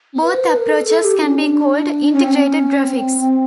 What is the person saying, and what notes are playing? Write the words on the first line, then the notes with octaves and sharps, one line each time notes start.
Both approaches can be called integrated graphics.
B4
C5
B4
A#4
A4
A4
G4
C#4
D4
C#4
C4
C#4
C4